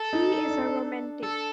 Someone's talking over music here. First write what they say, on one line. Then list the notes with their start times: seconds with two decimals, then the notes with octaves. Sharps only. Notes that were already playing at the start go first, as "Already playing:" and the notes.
He is a romantic.
Already playing: A4
0.13 D#4
0.49 D4
0.58 D#4
0.66 D4
1.23 A4